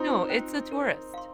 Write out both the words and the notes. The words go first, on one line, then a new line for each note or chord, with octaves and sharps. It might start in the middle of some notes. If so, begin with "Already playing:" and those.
No, it's a tourist.
Already playing: C4 D#4 F4
C5 G5
A#4
F5 C6